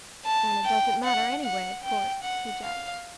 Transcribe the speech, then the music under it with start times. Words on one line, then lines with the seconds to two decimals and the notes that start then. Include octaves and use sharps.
"And it doesn't matter, anyway, of course," he gibed.
0.25 A5
0.65 G5
1.05 F#5
1.44 F#5
1.84 G5
2.23 F#5
2.63 F5